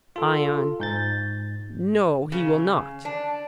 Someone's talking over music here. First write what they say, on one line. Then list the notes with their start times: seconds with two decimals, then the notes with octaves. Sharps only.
ION: No, he will not.
0.16 F4 A4
0.80 G#2 G6 A6
2.32 C#3
3.05 D4